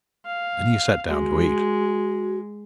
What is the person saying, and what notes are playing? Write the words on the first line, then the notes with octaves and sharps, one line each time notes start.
Then he sat down to eat.
F5
G#3 F#4